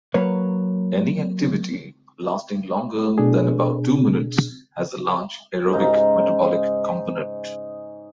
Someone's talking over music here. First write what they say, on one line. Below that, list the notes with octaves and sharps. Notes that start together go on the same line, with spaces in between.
Any activity lasting longer than about two minutes has a large aerobic metabolic component.
F#3 A#3 B4 C#5
B2 D4 G#4
G#2 C#3 D#4 A#5